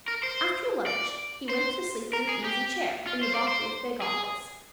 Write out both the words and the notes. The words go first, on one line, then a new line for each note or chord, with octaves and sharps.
After lunch he went to sleep in the easy-chair in the doctor's big office.
A#4
C5
D5
C5
A#4
G#4
G4
F4
C5
D5
C5
G#4